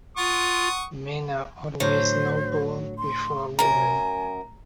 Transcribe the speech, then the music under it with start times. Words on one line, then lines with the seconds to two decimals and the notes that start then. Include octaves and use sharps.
Men are always noble before a woman.
0.17 F4 F#5 C#6 D#6
1.80 A2 D3 F#3 C5
2.98 C6
3.59 F#2 A#4 G#5 A#5